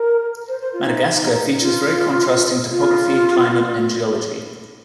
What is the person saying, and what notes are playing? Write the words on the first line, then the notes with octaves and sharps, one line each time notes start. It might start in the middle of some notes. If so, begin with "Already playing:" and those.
Madagascar features very contrasting topography, climate, and geology.
Already playing: A#4
C5
C5
F4
D#4
F4
F4